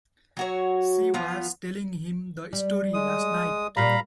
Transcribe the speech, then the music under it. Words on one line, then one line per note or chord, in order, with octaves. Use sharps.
She was telling him the story last night.
F#3 F#4 C#5
F3 B3 F4
G3
G#3 D#6
A#2 G3 F5 A#5 B5